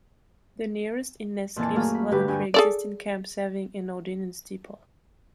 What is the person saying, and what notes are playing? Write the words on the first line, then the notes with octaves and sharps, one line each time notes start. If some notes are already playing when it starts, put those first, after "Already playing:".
The nearest in Nesscliffe was a pre-existing camp serving an ordnance depot.
F2 A#2 E3 G#5 A5
F#2 F#3 A3 A#3 G#4 F5
B5
G2 D3 G4 B4 G5
D2 G2 G5 G#5
G#4 A4 D5